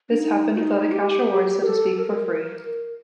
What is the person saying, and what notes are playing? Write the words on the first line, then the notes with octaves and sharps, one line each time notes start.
This happened without a cash reward so to speak for free.
D4
D#4
F#4
D#4
G4
A#4
A4
A#4